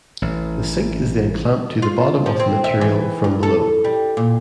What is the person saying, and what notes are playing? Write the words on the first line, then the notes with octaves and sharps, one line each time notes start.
The sink is then clamped to the bottom of the material from below.
A1
F4
F3
C4
E5
E3
G2
A4
G3
A#2